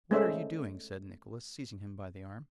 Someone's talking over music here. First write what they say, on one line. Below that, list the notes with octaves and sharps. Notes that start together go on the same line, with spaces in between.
'What are you doing?' said Nicholas, seizing him by the arm.
G#3 A3 C#4 C5 D5 E5